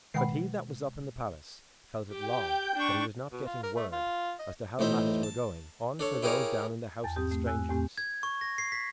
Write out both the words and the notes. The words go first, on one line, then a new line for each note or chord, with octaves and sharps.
But he that was up in the palace felt it long that he was not getting word as to how matters were going on for those down in the house of the strangers.
B2 D#3 G#3 F#5 G5 B5 C7
G4 G5 G6
D4 C#6
B2
F4
A#4
A3
F4
D#5
A1 A2 D#4 C5 E5
A5
D4 A4 C#5
E4 G4 G#4 A#4 C#5
E2 G5 A5 A6
E2 G#2 C4 G4 D#6 G6
A3
G#5 E6 F#6
E2 A2 A3 C4 G4
G#6
C#6
A#6
C7
B6